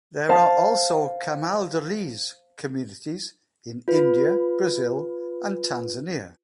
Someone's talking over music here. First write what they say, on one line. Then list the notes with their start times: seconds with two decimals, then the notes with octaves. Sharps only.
There are also Camaldolese communities in India, Brazil, and Tanzania.
0.29 C5 F5 A5
3.88 F4 B4